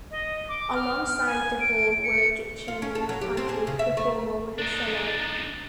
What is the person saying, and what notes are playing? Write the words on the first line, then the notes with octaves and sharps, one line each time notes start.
Alongside the hall were a kitchen and pantry, the former with a cellar.
D#5
D6
F6
G#5
D7
C#7
F4
C#4
A4
F#3
G4
C4
G#4
C#3
E5
A3
D4 D#4